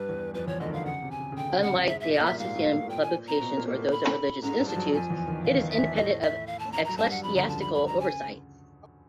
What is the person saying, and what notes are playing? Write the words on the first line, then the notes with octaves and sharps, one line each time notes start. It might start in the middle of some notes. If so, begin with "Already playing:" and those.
Unlike diocesan publications or those of religious institutes, it is independent of ecclesiastical oversight.
Already playing: G2 G3 B4
E2 E3
F2 F3 B4
E2 E3 C#5
D2 D3 D#5
D#3
D2 D3 F5
C#3 F#5
C3
G#5
C#3
C#3
D2 D3 G5
C#3
C3 F#5
G3
F#2 F#3
G#2 G#3 E5
A#2 A#3 E5
D#5
A#2 A#3 E5
G3
G#2 G#3 F5
A2 A3
A#3
B3
A#2 A#3 G5
G#5
C4 A#5
B2 B3
A#2 A#3
A#3
A2 A3
B5
G#2 G#3 A#5
G2 G3
F3 A5
F#2 F#3
F2 F3 G#5
E2 E3
D#2 D#3
E2 E3 F5
D#3
E2 E3
F3 E5
E2 E3
A2 A3 D#5
E5
F5
A5
A#5
F#3 A#5
G2 G3 A5
F#3 F#5
F2 F3 B5
C#3
D2 D3 A#5
A5
B5
B5
A#5
C#3 G#5